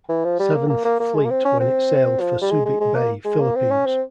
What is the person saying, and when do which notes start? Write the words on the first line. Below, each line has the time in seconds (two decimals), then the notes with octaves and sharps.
Seventh Fleet when it sailed for Subic Bay, Philippines.
0.09 E3
0.24 F3
0.39 G3
0.55 A#3
0.69 A#3
0.85 A#3
1.00 A#3
1.15 G#3
1.25 A#3
1.30 C4
1.45 C#4
1.60 C4
2.20 F3
2.41 G3
2.50 G#3
2.65 G#3
2.80 G#3
2.95 A#3
3.25 G#3
3.41 A#3
3.55 C4
3.70 C#4
3.86 C4